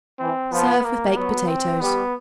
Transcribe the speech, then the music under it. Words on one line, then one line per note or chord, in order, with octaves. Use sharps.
Serve with baked potatoes.
E3 C4
F3 B3
A#3
F#3 B3
C4
G3 B3